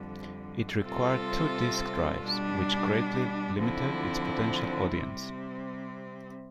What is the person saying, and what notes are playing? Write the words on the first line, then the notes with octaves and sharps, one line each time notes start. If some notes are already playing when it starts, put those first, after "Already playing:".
It required two disk drives, which greatly limited its potential audience.
Already playing: F2 D3 G3
C3 G3 C4 F4 A4
B2 G3 D4
D3 F3 C4 E4
C3 G3 C4